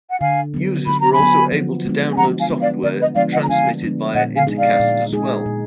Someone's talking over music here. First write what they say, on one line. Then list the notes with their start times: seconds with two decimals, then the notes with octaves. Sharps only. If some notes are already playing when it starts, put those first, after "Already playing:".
Users were also able to download software transmitted via Intercast as well.
0.11 F#5
0.20 D3 F5 G#5
0.54 F#3 B3
0.87 D3 B5
1.00 A#5
1.13 G#5 B5
1.19 F#3 B3
1.52 F3
1.85 G#3 B3 D4
2.12 G#5
2.18 F3 F#5 A#5
2.39 F5 G#5
2.50 G#3 B3 D4
2.61 D5 F5
2.83 D3 A#4 D5
3.00 B4 D#5
3.16 F3 G#3 B3 D4 D5 F5
3.32 D#5 F#5
3.43 A#5
3.49 D3 F5 G#5
3.82 F3 G#3 B3 D4
4.14 A#2 D#5 F#5
4.37 F5 G#5
4.47 G#3 D#4 G#4
4.58 D5 F5
4.80 A#2
5.13 G#3 D#4 G#4
5.46 A#2